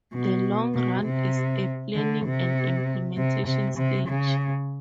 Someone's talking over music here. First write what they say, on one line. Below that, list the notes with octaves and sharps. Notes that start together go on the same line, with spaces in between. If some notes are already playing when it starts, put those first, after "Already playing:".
The long run is a planning and implementation stage.
B2
B2
C3
D3
C3
C3
C3
C3
C#3